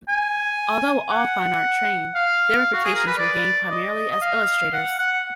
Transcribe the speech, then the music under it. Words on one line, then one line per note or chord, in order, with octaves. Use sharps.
Although all fine art trained, their reputations were gained primarily as illustrators.
G#5
F#5
F5
F#4
G#4
A#4
B4
D5
D#5
D#5
F5
F#5
F#5